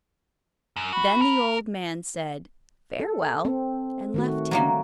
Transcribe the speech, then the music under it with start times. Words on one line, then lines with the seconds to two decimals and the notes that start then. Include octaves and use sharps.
Then the old man said "Farewell," and left him.
0.76 F#2
0.93 F#4 B5
1.22 A#4
3.00 A4
3.45 C4
4.14 D#3 A3 F#4
4.51 F#3 G3 A#3